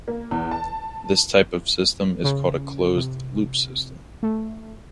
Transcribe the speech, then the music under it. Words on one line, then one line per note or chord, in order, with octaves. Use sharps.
This type of system is called a closed-loop system.
A#3
E2
A5
C#3
C3
A3